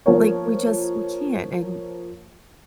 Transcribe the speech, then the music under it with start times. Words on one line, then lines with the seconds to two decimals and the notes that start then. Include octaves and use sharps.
Like, we just we can't." And
0.06 F3 A#3 A#4 C#5